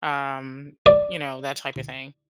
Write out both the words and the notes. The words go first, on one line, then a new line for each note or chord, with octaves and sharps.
um, you know, that type of thing,
D5